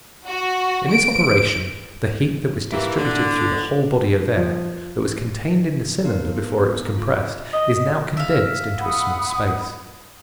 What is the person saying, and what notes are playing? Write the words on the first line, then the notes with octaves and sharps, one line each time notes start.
In this operation the heat that was distributed through the whole body of air, that was contained in the cylinder before it was compressed, is now condensed into a small space.
F#4
D7
D#3 E3 A#3 E4 G4
D3 D4
F3
B3 D#4 A#4
F4
D#5
E5 F5
F#5 B5 D#6